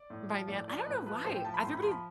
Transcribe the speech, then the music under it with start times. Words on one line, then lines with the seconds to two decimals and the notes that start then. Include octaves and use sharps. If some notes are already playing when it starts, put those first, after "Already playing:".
by then I don't know why, everybody
Already playing: D5
0.10 A2
0.30 F3
0.48 A2 D5
0.68 F3 D5
0.86 A2 B4
1.06 F3 B4
1.25 A2 C5
1.34 G5
1.44 F3 A5
1.54 B5
1.63 A2 C6
1.73 B5
1.83 F3 C6
1.92 B5